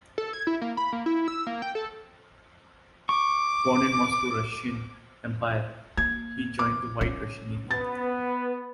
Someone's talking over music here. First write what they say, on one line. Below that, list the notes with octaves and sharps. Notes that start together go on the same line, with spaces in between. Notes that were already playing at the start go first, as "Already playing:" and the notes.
Born in Moscow, Russian Empire, he joined the White Russian Navy.
A4
G#6
E4
A#3
B5
A#3
E4
E6
A#3
G5
A4
C#6 D6
A#3 G#6
D6
C#4
B3 A6